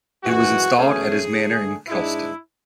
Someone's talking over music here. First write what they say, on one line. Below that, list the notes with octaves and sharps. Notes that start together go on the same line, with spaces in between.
It was installed at his manor in Kelston.
F#2 E3 G#3 F#4
B2 A3 C#4 G#4
D3 A3 D4
G#2 G#3 D4 E4